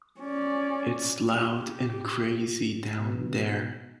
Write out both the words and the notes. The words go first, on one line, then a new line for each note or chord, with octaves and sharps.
It's loud and crazy down there.
C#4 D5
G4
B2